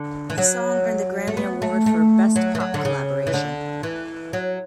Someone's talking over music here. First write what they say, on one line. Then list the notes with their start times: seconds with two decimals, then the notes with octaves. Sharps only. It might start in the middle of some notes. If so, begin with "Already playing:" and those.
The song earned the Grammy Award for "Best Pop Collaboration".
Already playing: D3
0.30 E3
0.38 F#3
1.27 A3
1.37 B3
1.62 A3
1.86 A3
2.36 F#3
2.55 E3
2.60 F#3
2.74 D3
2.85 C#3
3.27 E3
3.34 D3
3.83 E3
4.33 F#3